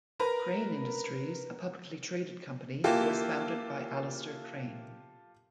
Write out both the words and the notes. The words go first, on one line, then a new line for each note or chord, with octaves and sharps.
Crane Industries, a publicly traded company, was founded by Alistair Crane.
A#4 B4 A#5
E3 A#3 F4 G4 A4